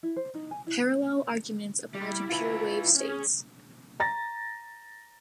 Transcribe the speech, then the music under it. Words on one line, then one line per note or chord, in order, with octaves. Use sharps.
Parallel arguments apply to pure wave states.
E4
C5
D#4
G#5
E4
G3 E4
F4 B4
C#4 G#4
A#5 A6 A#6